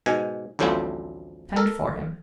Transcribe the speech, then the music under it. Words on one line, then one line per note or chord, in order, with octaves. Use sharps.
Send for him.
G#2 B2 G#5
A1 D2 A2 F3 G3 C4
A4 A#4